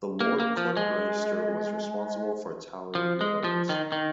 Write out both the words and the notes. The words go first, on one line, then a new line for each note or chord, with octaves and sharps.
The Lord Clerk Register was responsible for tallying the votes.
A#3
A#3
F3
G#3
F3
G#3
F3
D#3
D#3